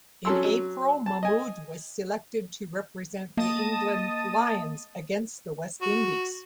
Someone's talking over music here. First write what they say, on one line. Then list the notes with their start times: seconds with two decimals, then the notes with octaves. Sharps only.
In April, Mahmood was selected to represent the England Lions against the West Indies.
0.25 F#3 C#4 A4 C6 E6
0.45 F#3
1.06 A5
1.23 D#5 G#5
3.37 A#3 D#5 A5 D#6
5.81 F#4